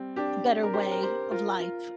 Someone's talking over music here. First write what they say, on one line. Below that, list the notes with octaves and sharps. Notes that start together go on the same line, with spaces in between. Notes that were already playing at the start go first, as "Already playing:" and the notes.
a better way of life.
Already playing: G3 C4
D4 G4
A#4
G4 C5
A#4
G4 C5
F4 A#4
F4 A#4